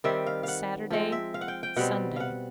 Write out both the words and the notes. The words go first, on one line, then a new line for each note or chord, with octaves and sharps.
Saturday, Sunday.
D#3 G3 C4 E5
F5
F5 F#5
F3 G#3 C4
E5
F5
F#5
G5
G5
B2 G3 C4 F#5
F5 F#5